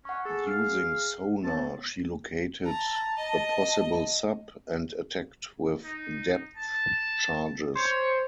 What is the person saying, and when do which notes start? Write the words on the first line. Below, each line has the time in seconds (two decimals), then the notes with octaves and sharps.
Using sonar she located a possible sub, and attacked with depth charges.
0.05 C#4 F#5 C#6
0.25 G#4 A4
0.46 F5
1.44 B3 C#5 A5
2.65 A5 A#5
3.17 D#5
5.82 D#4
6.57 A5
7.75 C5 C#5